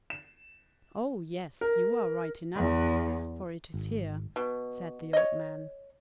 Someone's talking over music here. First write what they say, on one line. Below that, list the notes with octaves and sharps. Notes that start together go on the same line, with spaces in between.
"Oh! yes, you are right enough, for it is here," said the old man.
E7
A#4
E2
G#1
B2
C#5 D#5